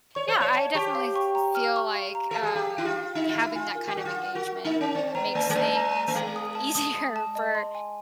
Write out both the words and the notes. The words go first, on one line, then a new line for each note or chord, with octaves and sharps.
yeah, I definitely feel, like, um, having that kind of engagement makes things easier for
C#5 C#6
C5
F5
C#5
A5
G4 C#6
F5
C#6
A#5
F6
C#6
F5
A#5
A4 F5
G#4
G4 F5
E4 F5
F4
F5
D#4 F5
F4
E4 F5
F4 G#5
A#4
G4
F#4 A#4
F4
F#5
F#4 A#4
A#4
D#4
C#4 A#4
C4 D5
B3 A#5
A3 D5
G#3
A3 D5
A#5
A#5
A3
G#3 F5
D#6
A5
D#6
D#6
A5
D#5
C6
G#5